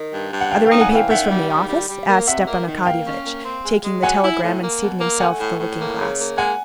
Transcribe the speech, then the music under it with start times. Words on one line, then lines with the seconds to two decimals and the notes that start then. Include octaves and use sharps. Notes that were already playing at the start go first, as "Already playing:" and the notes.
"Are there any papers from the office?" asked Stepan Arkadyevitch, taking the telegram and seating himself at the looking-glass.
Already playing: D#3
0.12 G2
0.32 G2
0.41 F#5
0.51 E3 F5 G5
0.66 F5 G5
0.71 D#4
0.81 F#5 G#5
0.91 E3 F5 G5
1.10 D#3 E5 F#5
1.30 G3
1.49 D#3
1.68 G3
1.88 G3
2.08 A#3
2.27 C3 E5 F#5
2.47 A#3
2.67 D#3
2.85 A#3 F5 G5
3.06 C#4
3.25 A#3
3.44 C4
3.64 G#3
3.83 G#3
4.03 F#3 F#5 G#5
4.23 E4
4.43 A2
4.62 A#3
4.81 B2
5.01 A#3
5.20 A3 F#5 G#5
5.40 A2
5.59 A2
5.79 A#3
5.99 C#3
6.18 A#3
6.38 G#3 F#5 G#5